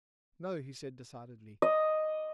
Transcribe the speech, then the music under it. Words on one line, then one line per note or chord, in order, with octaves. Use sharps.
'No,' he said decidedly.
D#5